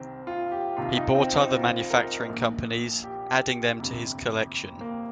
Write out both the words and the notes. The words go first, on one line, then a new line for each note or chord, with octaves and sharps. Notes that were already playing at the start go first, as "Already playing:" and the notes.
He bought other manufacturing companies, adding them to his collection.
Already playing: C2 C3 D#3 C4
F4
G4
C2 C3 D#3 F4
D#4
C4
D#4
F4
A#4
A#1 A#2
G4
G1 F2 C3
A#3